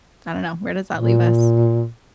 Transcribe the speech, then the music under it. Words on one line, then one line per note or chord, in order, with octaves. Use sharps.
I don't know, where does that leave us?
A#2